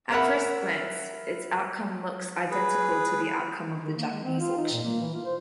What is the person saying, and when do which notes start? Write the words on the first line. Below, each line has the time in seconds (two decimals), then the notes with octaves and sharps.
At first glance, its outcome looks identical to the outcome of the Japanese auction.
0.12 A#4 E5 F#5 B5
2.51 G#4 B4
3.85 D#3
3.97 A#3
4.11 G#3
4.23 C4
4.39 F4
4.58 D#4
4.72 A#2
4.83 A#3
5.01 E3
5.13 F4
5.25 C5